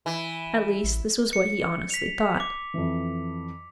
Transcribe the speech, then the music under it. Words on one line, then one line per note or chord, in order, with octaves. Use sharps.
At least, this was what he honestly thought.
E3
A1
C#7
B6 F7
D6
F2 E3